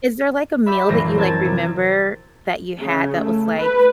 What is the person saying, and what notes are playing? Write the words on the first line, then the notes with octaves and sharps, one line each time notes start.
Is there like a meal that you like remember that you had that was like
G4 D5 E5 B5
A#1 F#2 E3 G#3 A#6
C4 A#4 A5 G#6 A6
C3
C#3
A3
B4